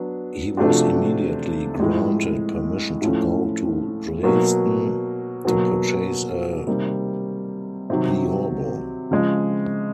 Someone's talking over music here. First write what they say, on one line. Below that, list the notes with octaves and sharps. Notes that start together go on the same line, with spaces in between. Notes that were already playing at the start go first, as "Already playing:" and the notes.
He was immediately granted permission to go to Dresden to purchase a theorbo.
Already playing: F#3 B3 D4
C3 F3 A3 D4 F#4
A2 F3 G#3
A2 F3 A3 C#4
B2 F#3 A#3
B2 F#3 A#3
C3 D#3 G3 A#3
C3 D#3 F#3
C#3 F3 G#3